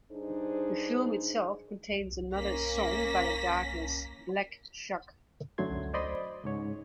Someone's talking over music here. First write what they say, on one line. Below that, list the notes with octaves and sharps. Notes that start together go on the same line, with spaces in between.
The film itself contains another song by the Darkness, "Black Shuck".
G2 D4 D#4 G#4 C5
A#3 C#4 A#6 B6
F#2 D3 F#3 A3 C6 G#6
C5 D5 D#5 B5 C6
C#2 G#2 C#5